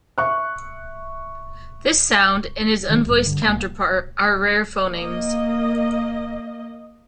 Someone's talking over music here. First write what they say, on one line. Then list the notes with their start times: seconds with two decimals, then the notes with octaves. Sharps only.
This sound and its unvoiced counterpart are rare phonemes.
0.18 E5 C#6 F#6
2.89 C3 D#3 G#3 C#4
3.05 B1 G#2
3.21 G2 D3
3.46 C2 F2 A#3
4.91 A#3 D#5